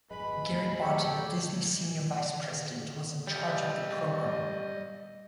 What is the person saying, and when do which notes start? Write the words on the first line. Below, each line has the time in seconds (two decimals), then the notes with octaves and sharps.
Gary Barton, a Disney senior vice president, was in charge of the program.
0.10 G#1 F#2 G#3 B4 B5
0.49 E2 A3
0.81 G#3 G4 A4 C#5
3.27 G3 C#5 D#5